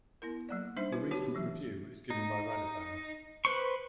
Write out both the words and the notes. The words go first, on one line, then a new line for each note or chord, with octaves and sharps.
A recent review is given by Radebaugh.
B3 E4 A#4
F#3 A#3 D5
G3 D4 D#4 C5 E5 C6
C4 E4 F#4 B4
D#4 F#4 G4 C#5 A5
E3 F#3 E5
D#4
B4 C5 C#6